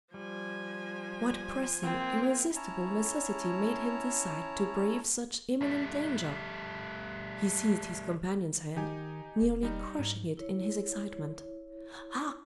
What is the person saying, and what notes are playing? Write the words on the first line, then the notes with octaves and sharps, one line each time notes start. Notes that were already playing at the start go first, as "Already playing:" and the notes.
What pressing, irresistible necessity made him decide to brave such imminent danger?" He seized his companion's hand, nearly crushing it in his excitement: "Ah!
F3 G3 G#5
A#3 C4
C#4 E4 C#5 A5 A#5
G3 A3
D#3 D#4 G4 G#5
E1
G3 D#4
G#2
E4 C#5